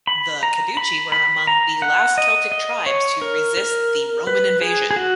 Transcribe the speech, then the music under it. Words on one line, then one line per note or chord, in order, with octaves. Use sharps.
The Cadurci were among the last Celtic tribes to resist the Roman invasion.
B5
A#5
B5
B5
A#5
F#5
D#5
D#5
C#5
A#4
A#4
B4
G#4
G#4
F#4